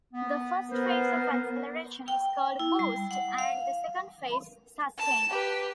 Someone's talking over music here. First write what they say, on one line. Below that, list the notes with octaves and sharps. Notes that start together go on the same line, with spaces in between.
The first phase of acceleration is called "boost" and the second phase "sustain".
B3
B3 A#4 C5
G5
E4
G3
F#5
F5
A5
G4 B4